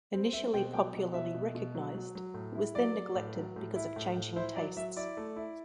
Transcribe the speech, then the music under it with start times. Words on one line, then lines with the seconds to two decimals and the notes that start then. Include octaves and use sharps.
Initially popularly recognised, he was then neglected because of changing tastes.
0.13 C4
0.33 C4 E5
0.54 B2 G5
0.73 F#3 G5
0.94 B2
1.14 B2 E5
1.34 B2
1.55 B2
1.75 F#3
1.95 F#3
2.15 F#3
2.34 A2
2.55 E4
2.75 F#3 D5
2.95 F#3
3.15 A2
3.35 F#3
3.56 A2
3.76 E4
3.96 A2
4.16 A2
4.36 E4 C5
4.56 F#3 D5
4.77 F#3 E5
4.96 E4 D5
5.17 A3
5.36 E4